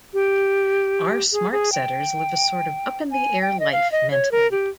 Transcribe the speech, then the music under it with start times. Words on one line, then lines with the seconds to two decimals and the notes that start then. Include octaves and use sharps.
Our smart setters live a sort of up-in-the-air life mentally.
0.14 G4
1.32 G#4
1.52 G#4
1.72 G5
3.12 G#5
3.42 G5
3.60 D#5
3.72 F5
3.92 D#5
4.11 C#5
4.32 A#4
4.51 G4